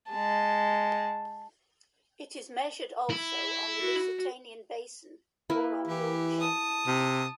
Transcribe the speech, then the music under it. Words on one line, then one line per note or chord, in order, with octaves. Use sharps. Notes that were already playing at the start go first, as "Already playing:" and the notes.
It is measured also on the Lusitanian Basin or on Yorkshire.
G#3 A5
E4
F#4
A#3 E4 B4
E3 G4
A5 D#6
C3